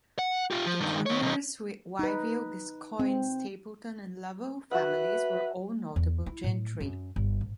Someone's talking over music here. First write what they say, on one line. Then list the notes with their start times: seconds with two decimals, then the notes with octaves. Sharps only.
The Conyers, Wyville, Gascoigne, Stapleton and Lovell families were all notable gentry.
0.19 F#5
0.51 F4 G4
0.65 F3
0.80 G2 D#3
1.06 D#3 C#5
1.22 B1 D#3
1.99 D#4 B4
2.99 C4
4.71 F#4 B4 E5 F#5
5.96 E2
6.26 E4
6.44 A2
6.80 F#2
7.16 G1
7.41 A1